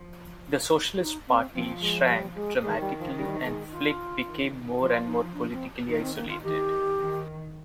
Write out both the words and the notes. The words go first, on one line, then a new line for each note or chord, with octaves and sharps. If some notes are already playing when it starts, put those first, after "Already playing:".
The Socialist Party shrank dramatically and Flyg became more and more politically isolated.
Already playing: F3
D#4
C4
F3 C4
G#3
G3
G#3
D#3 G#3
G3
F3
G3
G#3
F4
D#3
F3 F4
D#4
D4
C4
D#3 D#4
C4
A#3
F4
D#3 G4
D#3